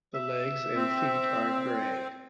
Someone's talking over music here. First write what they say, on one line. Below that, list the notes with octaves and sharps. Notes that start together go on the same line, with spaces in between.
The legs and feet are gray.
E5
C4